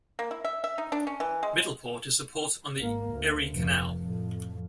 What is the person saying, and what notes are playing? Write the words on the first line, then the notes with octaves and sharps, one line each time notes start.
Middleport is a port on the Erie Canal.
A#3
E4
E5
E5
D#4
D4
C#4
E3
G#3
G#1 A#3
D2
F1
F2 A2